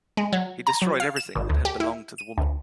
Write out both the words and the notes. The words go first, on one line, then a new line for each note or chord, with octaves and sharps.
He destroyed everything that had belonged to the woman.
G#3
F#3
A#5
F#3
F5
E7
G#1
D2
G4
E4
D#7
D2